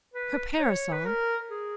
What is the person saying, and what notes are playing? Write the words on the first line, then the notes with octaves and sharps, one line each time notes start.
Her parasol?
B4
C#5
B4
A#4
G#4